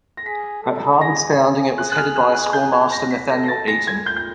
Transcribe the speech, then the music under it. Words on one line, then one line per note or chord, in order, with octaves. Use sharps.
At Harvard's founding it was headed by a "schoolmaster", Nathaniel Eaton.
A#6
G#4 B6
A4
G#4 A#6
F#6
F#6
F6
F#6
F#6
G6
G#6
A#6
B6
A4 A#6
A#6
A6
G#4 A#6
G#6
G6
G6